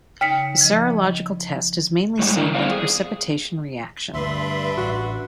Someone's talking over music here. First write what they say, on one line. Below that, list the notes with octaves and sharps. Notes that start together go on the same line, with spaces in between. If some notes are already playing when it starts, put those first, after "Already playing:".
The serological test is mainly seen in the precipitation reaction.
C#3 D#4 G5 B6 C#7
F3 D#5
A2 G3 G#3
D#3 E4 A#4
G3 B3 C5 D5 F5
G#4
D2 G2 D4 B4 E5 C6
A1 F#4